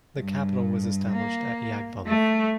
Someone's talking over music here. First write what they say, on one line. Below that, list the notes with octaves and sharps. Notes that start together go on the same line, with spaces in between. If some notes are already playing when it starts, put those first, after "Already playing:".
The capital was established at Yagbum.
G2
A#3
A3